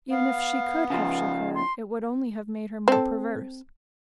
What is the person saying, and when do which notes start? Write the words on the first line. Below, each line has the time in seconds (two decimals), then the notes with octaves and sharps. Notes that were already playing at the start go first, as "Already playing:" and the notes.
Even if she could have shook her, it would only have made her more perverse.
0.10 B3 F5
0.90 C#3 F3 F5
1.54 C6
2.88 C4 A4